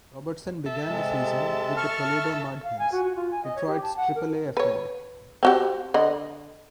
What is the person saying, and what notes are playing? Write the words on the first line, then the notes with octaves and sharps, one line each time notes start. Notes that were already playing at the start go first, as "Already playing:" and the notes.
Robertson began the season with the Toledo Mud Hens, Detroit's Triple-A affiliate.
A4 E5
C3 G#3
A5 C#6 F6
F5
G#5
F#4
F#4
F4
G#5
D#5
C#5
G4
A5
F#5
A#4
B4 C#5
C4 F#4 G4
D3 D#5 B5